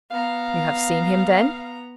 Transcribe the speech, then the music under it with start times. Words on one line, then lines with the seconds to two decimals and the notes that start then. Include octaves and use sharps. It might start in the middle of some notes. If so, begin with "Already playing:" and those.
"You have seen him, then?"
0.11 B3 F5 A#5